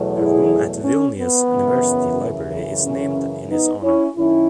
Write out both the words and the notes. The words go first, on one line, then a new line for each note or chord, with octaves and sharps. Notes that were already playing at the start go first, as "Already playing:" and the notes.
A room at Vilnius University library is named in his honor.
Already playing: E2 B2 F#3 A3
E4 G#4
C#4
B3
F#2 C#3 E3
C#4
B3 D#4
C#4 E4
F#2 D#3 C#4 E4